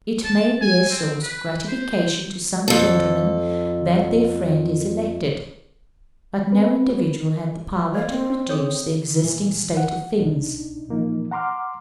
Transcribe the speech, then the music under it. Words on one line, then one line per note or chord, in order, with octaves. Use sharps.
It may be a source of gratification to some gentlemen that their friend is elected; but no individual had the power to produce the existing state of things.
A5
G#5
C4
B4
C5
F2 A4
B3 C4 B4
C5 D5 D#5 F5
C4
G#4 A4 C#5
A#2 E3
F#5
C2 B2 D4 D#4
A#2 E3 F3 A#3 D#4
F#5 A#5 C6 D6 F6